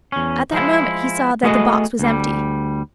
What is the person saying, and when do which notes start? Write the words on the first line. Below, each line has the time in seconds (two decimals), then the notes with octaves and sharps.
At that moment he saw that the box was empty.
0.12 E2 C#4
0.52 F3 G#3 E4
1.43 A3 B3 F#4 G#4 A#4 D#5
1.99 D2 G3